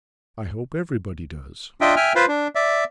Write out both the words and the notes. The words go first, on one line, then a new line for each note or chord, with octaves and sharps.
'I hope everybody does.'
D4 F4 D#5 E5 G5
E5 G5 G#5 F6
F4 B4 C5
D4
D5 E5